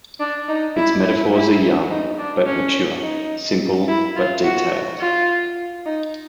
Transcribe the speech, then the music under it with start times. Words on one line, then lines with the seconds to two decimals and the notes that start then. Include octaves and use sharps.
Its metaphors are young, but mature, simple, but detailed.
0.20 D4
0.48 D#4
0.76 E4
1.05 E4
1.34 E4
1.90 D#4
2.18 D4
2.46 C#4
3.02 D#4
3.88 E4
4.16 F4
4.44 F#4
5.01 F4
5.85 D#4